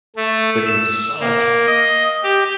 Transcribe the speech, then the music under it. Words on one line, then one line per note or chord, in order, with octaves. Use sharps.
but in such
A3
E6
A#3
D#5
G4